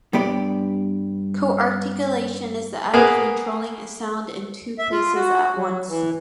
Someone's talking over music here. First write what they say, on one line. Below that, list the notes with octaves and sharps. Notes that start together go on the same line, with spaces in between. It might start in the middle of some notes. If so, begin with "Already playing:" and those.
Coarticulation is the act of controlling a sound in two places at once.
G2 B3 G4 D5
A#3 B3 G#4 A#4 B4
E5
F4
F#4
F#3
E3